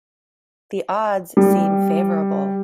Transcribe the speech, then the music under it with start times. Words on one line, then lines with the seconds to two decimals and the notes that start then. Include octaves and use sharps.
The odds seem favourable.
1.37 G3